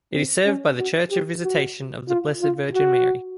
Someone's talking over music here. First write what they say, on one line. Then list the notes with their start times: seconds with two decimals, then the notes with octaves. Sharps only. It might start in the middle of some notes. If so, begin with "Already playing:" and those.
It is served by the Church of Visitation of the Blessed Virgin Mary.
0.13 C4
0.46 C#4
0.78 F#4
1.11 G4
1.43 F#4
2.09 F4
2.41 F4
2.74 F#4